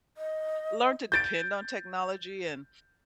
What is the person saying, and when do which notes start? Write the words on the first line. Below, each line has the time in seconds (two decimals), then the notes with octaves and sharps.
learn to depend on technology. And,
0.17 D#5
1.12 G6 A6 D7